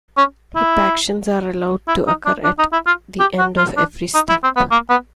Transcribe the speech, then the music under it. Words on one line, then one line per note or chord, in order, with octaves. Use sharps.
Hip actions are allowed to occur at the end of every step.
C#4
E4
E4
D#4
D4
D4
D#4
E4
F4
G4
F#4
F4
D4
D#4
E4
C4
B3
A#3
B3